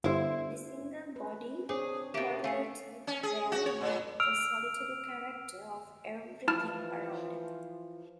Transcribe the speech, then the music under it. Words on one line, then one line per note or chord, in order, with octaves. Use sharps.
The single body correlated well with the solitary character of everything around.
G1 E4 C5
B4
C4 D4 G#4 C5 C#5 D6
B2 A#3 G4 E5 D7
A3 F5 G#5 C7
C#4
G#4
F#4
C#5
A#2
E6 F6 D7 F7
E3 F3 E4 A5 F6